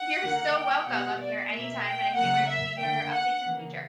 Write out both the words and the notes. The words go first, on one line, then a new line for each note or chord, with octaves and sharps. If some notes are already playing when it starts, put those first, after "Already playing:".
You're so welcome. I'm here anytime, and I can't wait to hear updates in the future.
Already playing: F#5
D3 A#3
G5
B2 G3 B3 F#5
D5
B2 A#3 E5
G5
C#3 F#3 A#3 F#5
E5
D3 A#3 G5
F#5
C#3 E3 A#3